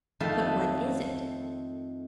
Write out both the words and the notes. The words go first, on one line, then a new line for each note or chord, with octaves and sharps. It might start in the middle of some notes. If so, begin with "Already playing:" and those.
"But what is it?"
F2 D#3 A3 F4 A4 A5